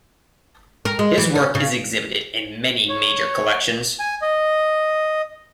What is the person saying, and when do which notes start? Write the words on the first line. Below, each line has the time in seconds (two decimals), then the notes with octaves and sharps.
His work is exhibited in many major collections.
0.85 A#4
0.99 G#3
1.18 E3
1.35 C#4
1.55 C#3
2.89 C#5
3.99 G#5
4.22 D#5